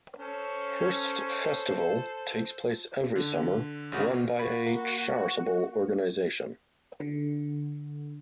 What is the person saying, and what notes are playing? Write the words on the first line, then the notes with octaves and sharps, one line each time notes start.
Hurst Festival takes place every summer, run by a charitable organisation.
C#4 A4 C5
D3
G#1 C#3 F#4
F#4 B5
A#3
D3